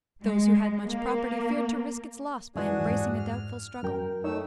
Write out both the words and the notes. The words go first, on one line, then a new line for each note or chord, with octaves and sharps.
Those who had much property, feared to risk its loss by embracing a doubtful struggle.
G#3
A#3
F#2 E3 D4 F#4 G#4
F2 G#2
F6
F#2 A#4 G5
A3 D#4 C#5 E6